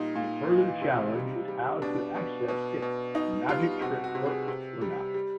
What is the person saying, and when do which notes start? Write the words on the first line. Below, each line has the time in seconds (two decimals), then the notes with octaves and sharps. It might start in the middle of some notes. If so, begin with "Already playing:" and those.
A further challenge is how to assess if the magic trick worked or not.
Already playing: A#2 G3 D#4
0.16 A#2
0.49 E3
0.82 C3
1.15 G3
1.48 G3
1.82 B2 D4
2.15 B2
2.48 B2
2.82 B2
3.15 B2 D#4
3.48 G3 F4
3.81 C3 F#4
4.04 F#4
4.15 C3
4.26 G#4
4.48 C3
4.81 G3
5.14 G3